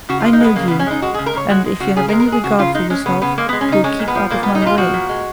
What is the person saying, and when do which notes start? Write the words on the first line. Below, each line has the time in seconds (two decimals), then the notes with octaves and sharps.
'I know you, and if you have any regard for yourself, you'll keep out of my way.'
0.09 C#3 F#4
0.20 F4
0.24 G#3
0.33 D#4
0.40 G#3 B3
0.56 C#3 A#3
0.68 B3
0.71 C#3
0.79 C#4
0.87 G#3 D#4
1.02 G#3 F#4
1.14 G#4
1.19 C#3
1.26 A#4
1.33 C#3 C#5
1.49 G#3 F#4
1.65 G#3
1.80 C#3 F#4
1.96 C#3 G#4
2.09 A#4
2.12 G#3
2.20 A#4
2.27 G#3
2.32 G#4
2.44 C#3 F#4
2.59 C#3 F4
2.74 G#3 D#4
2.90 G#3 C#4
3.06 C#3 B3
3.22 C#3 B3
3.38 G#3 A#3
3.49 B3
3.53 G#3
3.61 C#4
3.69 C#3 D#4
3.84 G#3 C#4
3.99 A#2
4.08 B3
4.15 F3
4.30 A#2 A#3
4.43 B3
4.47 G#3
4.55 D#4
4.62 A#2 F4
4.78 F3 F#4
4.94 A#2
5.09 G#3